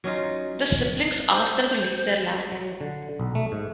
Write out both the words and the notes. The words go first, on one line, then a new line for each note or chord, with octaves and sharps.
The siblings ask them to leave their land.
F#3 C#4 D#4 F4
C5
F#3
D3
B1
A3
G#2